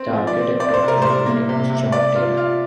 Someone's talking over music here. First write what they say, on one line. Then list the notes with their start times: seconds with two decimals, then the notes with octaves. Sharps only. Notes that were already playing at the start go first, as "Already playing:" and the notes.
The architect of the new building was John Taylor.
Already playing: C4
0.15 F3
0.27 D5
0.38 C4
0.60 C4 D5
0.74 C5
0.82 C3
0.88 A#4
1.02 G3 C5
1.26 A#3
1.49 C3
1.70 C3
1.92 C3 D5
2.15 F4
2.37 F4